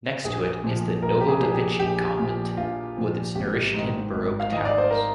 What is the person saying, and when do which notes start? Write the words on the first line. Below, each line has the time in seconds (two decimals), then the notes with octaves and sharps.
Next to it is the Novodevichy Convent, with its Naryshkin Baroque towers.
0.25 A#1 G#4
0.64 A#2 F3
1.02 A#1 A#4
1.21 G4
1.28 G#4
1.41 A#2 F3 G#4
1.54 G4
1.79 A#1 G4
2.19 A#2 F3
2.57 A#1 F4
2.97 A#2 F3
3.35 G#1 G4
3.74 G#2 D#3
4.13 G#1
4.40 F5
4.52 G#2 D#3 D#5
4.65 D5
4.78 C5
4.91 A#4